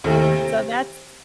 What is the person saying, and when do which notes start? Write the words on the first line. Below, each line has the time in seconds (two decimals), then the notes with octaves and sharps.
so, that's
0.04 D#2 C3 D#3 A3 E4 A4